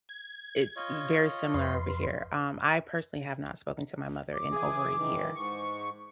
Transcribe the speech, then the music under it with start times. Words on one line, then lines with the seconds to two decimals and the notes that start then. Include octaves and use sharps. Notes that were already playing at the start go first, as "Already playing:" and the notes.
it's very similar over here. Um, I personally have not spoken to my mother in over a year.
0.09 G#6
0.76 F4 C#5 D#5
1.54 F2 B4 C6
4.33 D6
4.52 E3 G#4
4.96 D#3 E3
5.36 G#2 C#6